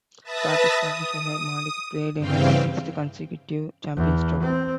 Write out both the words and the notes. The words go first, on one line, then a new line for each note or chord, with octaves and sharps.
Pakistan's Shoaib Malik played in his sixth consecutive Champions Trophy.
B4 E5 A5 D#6 A6 A#6
D#6
G2 C#3 E3 C4 F5 G5
E2
C4